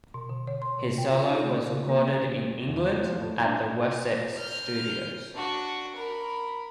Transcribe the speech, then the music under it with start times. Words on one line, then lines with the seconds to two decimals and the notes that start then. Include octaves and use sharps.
His solo was recorded in England at the Wessex Studios.
0.14 B2
0.29 D3
0.47 C#5
0.62 C6
0.79 C3
0.98 G5
1.13 F4
1.29 D#4
1.43 A3
1.55 D5
1.68 C#3
1.89 A#3
2.68 E2
3.07 F3
3.21 A2
3.44 D4
4.37 F6 G6
5.35 D4 F#4
5.97 A#4 B5